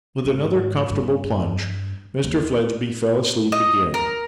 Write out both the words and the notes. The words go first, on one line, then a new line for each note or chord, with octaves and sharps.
With another comfortable plunge, Mr Fledgeby fell asleep again.
G#2
G2
D#2
D#5
A#4